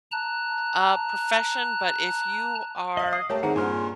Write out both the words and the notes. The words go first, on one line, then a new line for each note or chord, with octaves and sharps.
uh, profession, but if you are,
A5 A#5 F#6
D#5 F5 F#7
D#6 C7
A3 G4 A#4 C#5 A5
D#3 C4 G#4 F#5 A#5
G2 A#2 G#5 C6 F6